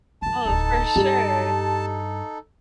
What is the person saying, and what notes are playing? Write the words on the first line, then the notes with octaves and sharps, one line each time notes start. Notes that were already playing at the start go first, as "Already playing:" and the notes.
Oh, for sure.
F#2 D#3 A5
D1 A3 D#4 A4
G2 G3